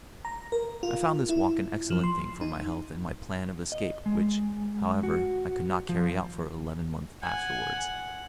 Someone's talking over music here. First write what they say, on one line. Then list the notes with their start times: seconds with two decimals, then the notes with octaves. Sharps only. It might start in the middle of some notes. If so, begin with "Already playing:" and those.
I found this walk an excellent thing for my health and my plan of escape, which, however, I could not carry out for eleven months afterwards.
0.25 A#5
0.52 A#4
0.83 F4
1.29 E4
1.90 F3
2.04 C6
2.41 D#4
3.72 D#5
4.06 G#3
5.03 F#4
5.89 F3
7.23 F#5 G#5